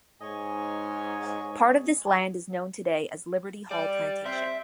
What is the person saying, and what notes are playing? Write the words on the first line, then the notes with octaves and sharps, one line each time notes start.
Part of this land is known today as Liberty Hall Plantation.
G#2 C#5 D#5 G#5
G3 D5
C4 E5